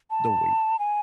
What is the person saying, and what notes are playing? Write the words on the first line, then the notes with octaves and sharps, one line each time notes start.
the weight
A5
G#5